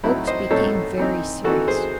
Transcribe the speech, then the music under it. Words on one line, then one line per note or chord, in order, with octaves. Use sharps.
Oakes became very serious.
A2 F#3 C4 D#4 E4
C5 D#5
A2 F#3 C4 D#4 A4 C#5
E3 C4 D#4
E3 C4 D#4 F#4 A4
G#4 C5